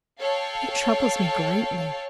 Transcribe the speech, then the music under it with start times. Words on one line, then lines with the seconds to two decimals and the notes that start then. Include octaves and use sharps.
It troubles me greatly.
0.19 A4 C#5 F5 G5 A5